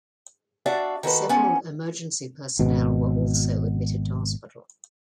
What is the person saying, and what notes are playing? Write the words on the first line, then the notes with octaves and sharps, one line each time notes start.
Several emergency personnel were also admitted to hospital.
D4 F#4 D5 E5 F5
D#3 F#4 A4 B4
F3 B3 C#4
G#1 B2